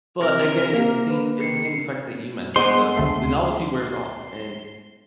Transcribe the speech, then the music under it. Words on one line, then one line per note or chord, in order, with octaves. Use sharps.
But again, it's the same it's the same effect that you mentioned. The the novelty wears off. And
C3 A#4
A#3
B4
D#3 C7 C#7
G#3 B3 C5 C6
D2 A3 C7